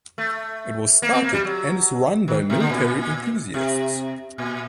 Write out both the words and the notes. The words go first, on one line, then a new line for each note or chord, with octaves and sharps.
It was started and is run by military enthusiasts.
A3
A#3
C4
A#3
G3
F#3
D#3
C3
D3
A#2
C3
A#2